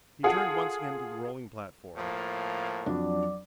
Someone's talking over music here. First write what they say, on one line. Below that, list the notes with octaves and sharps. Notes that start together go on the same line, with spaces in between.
He turned once again to the rolling platform.
F4 G#4 A4 F#5
A2 F3 A#3
F2 F#3 D4 F#4 D5 D6